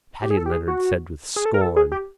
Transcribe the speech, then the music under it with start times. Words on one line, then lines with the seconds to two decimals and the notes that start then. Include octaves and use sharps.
Paddy Leonard said with scorn.
0.22 G4
0.31 G#4
0.37 A4
0.46 G4
0.52 G#4
0.68 F#4
1.36 G#4
1.46 A4
1.54 A#4
1.61 A4
1.76 G#4
1.92 G4